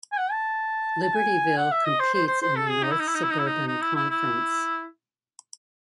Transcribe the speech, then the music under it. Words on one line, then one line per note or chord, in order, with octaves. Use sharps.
Libertyville competes in the North Suburban Conference.
G#5
F#5
A5
A5
G#5
F#5
E5
D#5
C5
C5
C5
C5
A4
G#4
D#4
E4
D#4
E4
D#4
E4
D#4
E4
D#4
D#4
E4
E4
E4